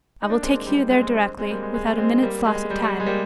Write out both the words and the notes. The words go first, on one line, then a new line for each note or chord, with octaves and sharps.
I will take you there directly, without a minute's loss of time.
D#4
A#3 D4
G#3 C4
G#3
G3
G3
G#3
G#3 C4
G#3 C4
G#3 C4
G3 A#3
G#3
G#3
A#3
G#3 C4
G3 A#3
G#3
G3
G3
G#3
G3 A#3